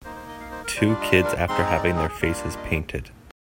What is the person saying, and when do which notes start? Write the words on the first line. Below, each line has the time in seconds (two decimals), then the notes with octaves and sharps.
Two kids after having their faces painted.
0.04 A#3 D#4 C5
0.16 C5
0.28 D#5
0.40 F5
0.52 C5
0.64 A#4
0.76 G3 D4 F4 C5
0.89 D5
1.01 D#5
1.13 C5
1.25 A#4
1.37 D5
1.48 G#3 C4 D#4 C6
1.67 A#5
1.77 D5
1.84 C5
1.96 G#4
2.08 G#4
2.20 G3 A#3 D4 F4 A#4
2.38 D5
2.57 D#5